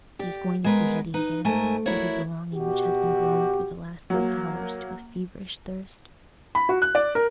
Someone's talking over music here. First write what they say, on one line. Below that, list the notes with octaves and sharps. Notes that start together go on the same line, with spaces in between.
He is going to see Hetty again: that is the longing which has been growing through the last three hours to a feverish thirst.
G4 D5
G#3 B3 A#4 B4
D#4 B4
G#2 A3 A#4 G#5
E4 F#4 A#4 C#5 D5
B2 F#4 G4
F#3 A#3
B5
F#4
F#6
D5
A#4